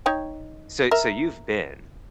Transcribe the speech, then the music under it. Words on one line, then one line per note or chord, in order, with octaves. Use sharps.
so so you've been
D#4 C#5 G5
A#4 E5